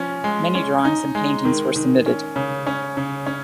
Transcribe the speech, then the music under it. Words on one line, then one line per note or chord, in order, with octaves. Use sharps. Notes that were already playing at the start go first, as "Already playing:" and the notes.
Many drawings and paintings were submitted.
Already playing: F3 C#4
G#3
C#4
D#4
G#3
D#3
D#3
C#4
C#3
C#4
C#3
C#4